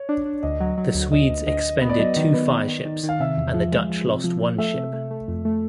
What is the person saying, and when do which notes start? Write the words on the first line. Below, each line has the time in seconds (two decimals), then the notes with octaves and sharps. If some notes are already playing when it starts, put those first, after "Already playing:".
The Swedes expended two fireships and the Dutch lost one ship.
Already playing: C#5
0.09 D4
0.25 D4
0.43 D2 D#5
0.60 F#3
0.78 F#3
0.94 D2
1.12 D2 D#5
1.30 D2
1.47 D2 D#5
1.65 D2
1.82 B3 D#5
1.89 D5
1.99 F#3 D#5
2.16 D#3
2.34 B3
2.50 D#3
2.68 D#3
2.85 D#3
3.03 D#3
3.09 F5
3.20 C3 E5
3.37 E2
3.54 F3
3.72 G#3
3.89 F3
4.07 C3
4.24 F3
4.41 F3
4.58 A3 E5
4.75 C3
4.93 A3
5.11 A3
5.28 F2
5.45 A3